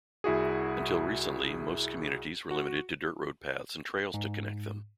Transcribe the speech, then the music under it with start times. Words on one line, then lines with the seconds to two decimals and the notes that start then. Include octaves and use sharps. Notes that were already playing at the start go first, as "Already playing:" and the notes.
Until recently most communities were limited to dirt-road paths and trails to connect them.
0.24 C2 E4 F#4 G#4
2.51 F#4
4.14 G#2